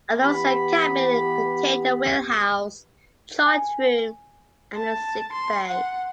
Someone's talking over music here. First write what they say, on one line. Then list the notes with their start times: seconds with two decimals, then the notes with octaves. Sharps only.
A low set cabin contained the wheel-house, chart room and a sickbay.
0.22 E3 B3 G4 B5
3.46 G#5
4.76 A5
5.32 C6
5.68 F#5